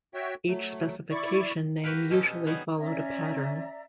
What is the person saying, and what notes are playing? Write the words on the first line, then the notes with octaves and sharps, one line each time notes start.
Each specification name usually followed a pattern.
F#4 C#5 E5 G5
F#3 A3
E4 D5 C#6
F#4 G4 A#4 B4 F5
B2 C#4 A4 D#5 A5
F#3 G3 B3 D#4 F#4 G#4
C#4 D5 E5 A#5